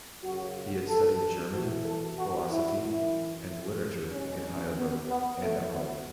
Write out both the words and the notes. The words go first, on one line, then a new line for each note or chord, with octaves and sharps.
He had studied German, philosophy, and literature in Heidelberg and at Harvard.
F#2 C#3 F#3 F#4
F#4
A4
E2 E3 F#4
A4
F#4
E4
F#2 E3 E4
C#2 B2 F#3 C#4
C#4
B3
B3
E2 B2 F#3 A3
B3